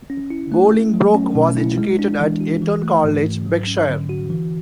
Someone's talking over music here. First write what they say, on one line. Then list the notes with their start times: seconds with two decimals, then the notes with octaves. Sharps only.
Bolingbroke was educated at Eton College, Berkshire.
0.10 C#4
0.30 E4
0.52 A3
0.73 A3
0.94 F#3
1.15 C#4
1.35 B2
1.57 E4
1.78 G#3
1.99 D4
2.20 E3
2.41 F#4
2.62 E3
2.83 A3
3.04 G#2
3.25 G#2
3.46 F#3
3.67 C#4
3.89 D3
4.09 F#4
4.30 E3